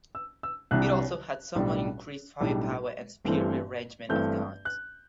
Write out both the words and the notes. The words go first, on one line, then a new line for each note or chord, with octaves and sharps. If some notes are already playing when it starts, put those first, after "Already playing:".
It also had somewhat increased firepower and superior arrangement of guns.
E6
E6
C2 C3 G3 D4 F#6
B1 A2 G3 D4
B1 A2 G3 D4
G1 G2 E3 A3 C4
G1 G2 E3 A3 C4 G6
F#6